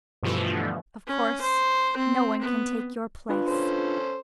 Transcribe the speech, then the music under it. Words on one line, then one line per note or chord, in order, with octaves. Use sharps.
Of course, no one can take your place....
G2 B2 D3 E3 F3 A3
C#4
C5
C4
B3
D4 F4 B4
C#4 A4 C5